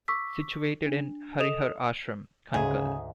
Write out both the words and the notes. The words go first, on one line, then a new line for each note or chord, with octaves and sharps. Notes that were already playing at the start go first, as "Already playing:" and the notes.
Situated in Harihar Ashram, Kankhal.
C#6 D6 E6 B6
D4
A4 D#5 D#6 E7 F7
D2 G#2 C#3 G#4